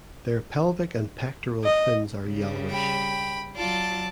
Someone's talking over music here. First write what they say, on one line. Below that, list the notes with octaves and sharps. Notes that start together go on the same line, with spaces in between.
Their pelvic and pectoral fins are yellowish.
D#5
C#3 G3
G5 B5
F#3 F4 D5 A5